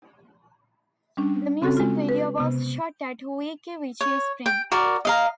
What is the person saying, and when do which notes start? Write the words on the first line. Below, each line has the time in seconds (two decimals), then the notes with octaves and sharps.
The music video was shot at Weeki Wachee Springs.
1.17 G3 C#4 D4
1.62 C#3 C4 C#4 F#4 A4
1.77 G#3 F4
2.09 B4
2.38 C3 B3
4.01 C#5
4.46 G5
4.72 F#4 A#4 D5
5.05 D#5 F5 A#5